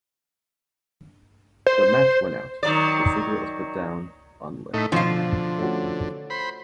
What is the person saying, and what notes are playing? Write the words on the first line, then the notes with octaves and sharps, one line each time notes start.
The match went out, the cigarette was put down unlit.
C5
D#3 F#3 D5
A2 A3 D#4 E6 B6
B2 D#3 F3 C4 C#4 F4 G#6 C7
D3
A3 C#4 F#4
C5 B5